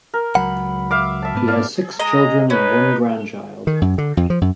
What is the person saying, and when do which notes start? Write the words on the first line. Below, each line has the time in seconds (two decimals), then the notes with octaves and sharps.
He has six children and one grandchild.
0.14 A#4
0.35 C#2 F#3 F#5 B5
0.91 E5 F5 D6
1.22 E5 A5
1.35 G#2 B3
1.47 D5 F5 A5
1.99 G#3 D#5 A#5
2.50 C#4 D#4 B4
3.67 D#3
3.82 F#2
3.98 D3
4.17 F2
4.30 F3
4.41 F#2